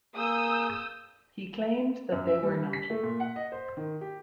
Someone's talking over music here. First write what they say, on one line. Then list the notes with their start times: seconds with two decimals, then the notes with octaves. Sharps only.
He claimed that they were not.
0.16 A#3 G#4 D#6 E6 G6
2.12 F#2
2.28 E5
2.43 G3
2.73 B6
2.90 A3
3.03 A#2
3.20 F#5
3.36 D#5
3.52 C5
3.77 D#3
4.01 G4